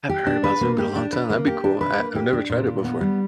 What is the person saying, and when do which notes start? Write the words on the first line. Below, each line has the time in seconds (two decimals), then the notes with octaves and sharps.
I haven't heard about Zumba in a long time, that'd be cool, I I've never tried it before.
0.09 G4
0.26 D4
0.44 B4
0.61 A#3
0.78 G4
0.96 D4
1.13 B4
1.30 A#3
1.47 G4
1.64 D4
1.81 B4
1.98 A#3
2.15 G4
2.33 D4
2.50 A#2
2.67 A#2
2.84 B3
3.01 G3